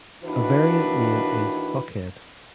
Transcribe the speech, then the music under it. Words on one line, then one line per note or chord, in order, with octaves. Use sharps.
A variant name is "Buckhead".
D#2 D#3 E3 D4 F#4 B4